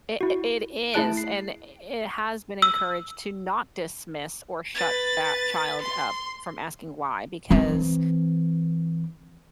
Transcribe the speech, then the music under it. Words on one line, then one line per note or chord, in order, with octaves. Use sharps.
It i it is, and i it has been encouraged to not dismiss or shut that child up from asking, "Why," because
E4 F#4
A3 E4 G#4 A5 F#6 D7
C7
E6
B4 A6
C6
E3 C4